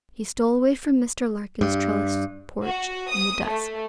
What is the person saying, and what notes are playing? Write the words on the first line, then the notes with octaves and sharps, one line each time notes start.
He stole away from Mr. Larkin's trellised porch, in the dusk.
G2
F#4
D#6
A3